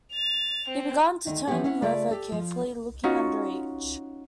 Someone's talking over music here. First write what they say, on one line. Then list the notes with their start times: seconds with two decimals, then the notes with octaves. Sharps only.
He began to turn them over carefully, looking under each.
0.13 A6 F7
0.68 C4
1.27 D2 D#3
1.47 E3 F3 B3 C#4 G4 F#5
1.64 C#4 E4 F#5
1.82 C#3 A3 F4 A4 D5
2.11 G4 A4
2.32 F3
3.04 C#4 D#4 F4 F#4